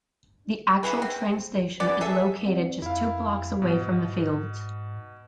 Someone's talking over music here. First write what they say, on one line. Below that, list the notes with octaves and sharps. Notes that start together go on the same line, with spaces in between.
The actual train station is located just two blocks away from the field.
E4 F#4 G#4 B4
C4
B3 C#4 D5
G#4 A4 E5
C4 D5 F#5
F2 E4 F5
G#2 B2
D#5